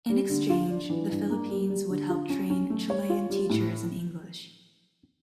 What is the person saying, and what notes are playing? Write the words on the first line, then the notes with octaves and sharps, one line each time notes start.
In exchange, the Philippines would help train Chilean teachers in English.
G3
D3
F4
D4
E3
G2
A#3
G3
G3
D3
F4
C#4
C#4
A3
C#5
F4
G3
A2